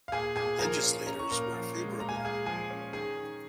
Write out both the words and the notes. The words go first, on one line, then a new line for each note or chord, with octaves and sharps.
Legislators were favorable.
F5
A#2 G#4 G#5
A#2 G#4 G#5
F3 A#4 A#5
C#4
C#4 A#5
C#6
A#2 A#4 A#5
F3
G#3
A#2 A#5
G#5
F5
A#2 G#4 G#5
F3 G#4 G#5
C#4
D#3 G#4 G#5
D#3